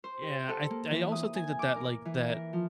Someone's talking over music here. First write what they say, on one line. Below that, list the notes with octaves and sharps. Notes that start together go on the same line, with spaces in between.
Yeah, I th I also think that, like, that,
C5
G4
A4
A#3
E3
D#6
G#5
D6
A#4
E3
A#4
F3